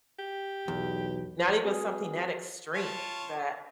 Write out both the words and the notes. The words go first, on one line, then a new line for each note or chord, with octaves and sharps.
not even something that extreme that
G4
B1 E2
C4 F#4 G#4 B4
F4 C#5 A5